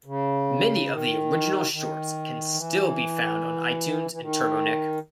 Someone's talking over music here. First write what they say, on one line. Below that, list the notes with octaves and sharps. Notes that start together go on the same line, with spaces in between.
Many of the original shorts can still be found on iTunes and TurboNick.
C#3
D#3
D#3
E3
E3
D#3